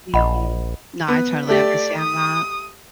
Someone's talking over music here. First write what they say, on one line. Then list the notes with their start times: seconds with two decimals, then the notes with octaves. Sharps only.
Mhm. No, I totally understand that.
0.14 A#1 D#5 F#5 B5
1.08 B3
1.48 A3 G4 D5
1.99 D#6